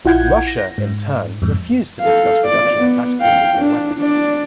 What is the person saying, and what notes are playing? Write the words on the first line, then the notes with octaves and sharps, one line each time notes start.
Russia, in turn, refused to discuss reduction of tactical nuclear weapons.
A#1 E4 F4 F#5 G6 G#6
A#6
G#2
F2 G#2
A4 F5
D5
B3
F5 G5
D4
D4 D5